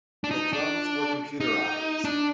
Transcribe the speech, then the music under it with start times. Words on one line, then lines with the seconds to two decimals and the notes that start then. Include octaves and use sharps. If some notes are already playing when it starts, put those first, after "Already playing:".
The drums were computerised.
0.24 D4
0.31 D#4
0.53 D4
1.40 D#4
2.04 D4